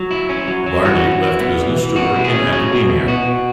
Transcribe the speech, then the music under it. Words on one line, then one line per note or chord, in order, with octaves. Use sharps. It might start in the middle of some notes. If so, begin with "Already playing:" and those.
Vardy left business to work in academia.
Already playing: F#3
E4
C#4
F#3
F#3
E3 F#4
E3
E4
B3
E3
E3
B2 F#4
E4
G#4
C#4
F#3 G#4
B2
E4
B2 F#4
B2